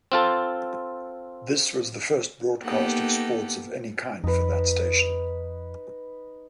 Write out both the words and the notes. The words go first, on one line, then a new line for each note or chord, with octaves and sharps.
This was the first broadcast of sports of any kind for that station.
C4 F4 A4
A#3 B3 D#4 G4 A4 F#5
F2 D#4 B4